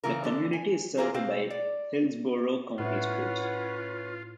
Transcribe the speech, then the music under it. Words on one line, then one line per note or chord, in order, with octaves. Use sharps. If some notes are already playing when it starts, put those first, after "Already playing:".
The community is served by Hillsborough County Schools.
C#3 E3 F4 A#4
D3 E3 A4
G#5
E3 A#3 F4 G#4 A#4 C5
B2 C4 C5 F5
D5
A2 C#4 F4 B4 C#5 F#5